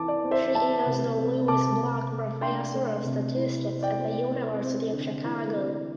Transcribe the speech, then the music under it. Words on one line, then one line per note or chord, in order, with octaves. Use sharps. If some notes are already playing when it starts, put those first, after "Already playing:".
She is the Louis Block Professor of statistics at the University of Chicago.
Already playing: E3 C4 A5 D6
D5
C4
C5 E5
C4 E5 A5
C3
C4
C3 A5 D6
C3
A3
D4 G5 C6
A3
C3
E4
C4
D5 G5
C4
C4
C4
D3
E3
C4